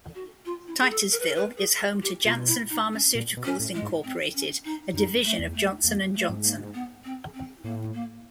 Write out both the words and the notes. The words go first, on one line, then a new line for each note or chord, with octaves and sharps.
Titusville is home to Janssen Pharmaceuticals Incorporated a division of Johnson and Johnson.
F#4
F4
E4
G#4
A4
A#4
B4
A#4
B4
G#4
G4
B2 F4
E4
D#4
C#4
A#2
B2
C#4
A2
G#3
G#2
C4
C#4
D#4
F#2 D#4
A3
E2
A3
F2 A#3
A3
G#2
A#3
B3
C4
C4
A2 A#3
A#3